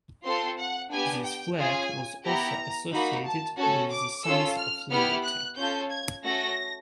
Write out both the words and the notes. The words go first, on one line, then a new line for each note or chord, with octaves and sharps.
This flag was also associated with the Sons of Liberty.
C4 F4 A4 C6
F#5
B3 D4 G4 G#5
G5
C#4 F4 G#4 G#5
B3 E4 G4 A#5
A#3 D#4 F#4 B5
A5
C#4 F#4 A4 A5
D6
C#4 F4 A4 E6
F6
B3 E4 G4 F6
F#6
C#4 F4 A4 G6
G#6
A3 C#4 F#4 A4 A#6